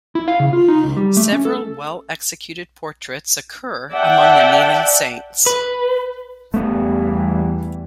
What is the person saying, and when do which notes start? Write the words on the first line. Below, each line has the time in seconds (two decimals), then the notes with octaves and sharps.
Several well-executed portraits occur among the kneeling saints.
0.15 E4
0.28 F5
0.40 C#3
0.53 F4
0.68 D#4
0.84 C#2
0.97 G3
1.17 A3
1.32 C#4
1.45 A4
3.92 D5 E5 F#5 G5 A5
5.46 B4
6.54 E2 E3 G3 A3 B3